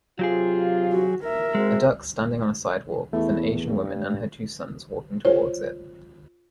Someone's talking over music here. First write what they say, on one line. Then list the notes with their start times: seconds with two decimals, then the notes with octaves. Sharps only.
A duck standing on a sidewalk with an Asian woman and her two sons walking towards it.
0.19 C3 F#3 F4 G4 G#4
0.92 F#4
1.23 A#4 E5
1.55 G#3 C4 F#4 G#4
3.13 E2 A3 E4
3.68 G2
5.25 F4 C5 C#5